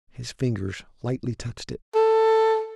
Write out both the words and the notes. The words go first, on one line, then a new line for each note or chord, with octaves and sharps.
His fingers lightly touched it.
A4